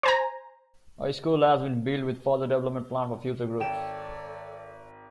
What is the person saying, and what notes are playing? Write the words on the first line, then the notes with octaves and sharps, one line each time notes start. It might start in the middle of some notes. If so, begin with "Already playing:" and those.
A school has been built with further development planned for future groups.
C5 G#5 A#5
G#1 A4 C#5 D5 G5 E7